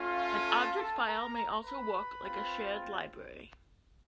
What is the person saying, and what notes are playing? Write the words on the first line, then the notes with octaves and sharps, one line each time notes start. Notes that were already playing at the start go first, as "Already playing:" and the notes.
An object file may also work like a shared library.
Already playing: A3 C#4 F4
A4 A5
A4 A5
A#4 A#5
B4 B5
C4 F4